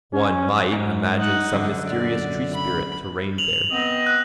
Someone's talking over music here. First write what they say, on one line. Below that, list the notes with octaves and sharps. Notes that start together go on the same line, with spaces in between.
One might imagine some mysterious "tree-spirit" to reign there.
C#4
G#2
D#4 F#5
F#2 D3
D5
B5
F7 F#7
B3 C4 D#5
F#6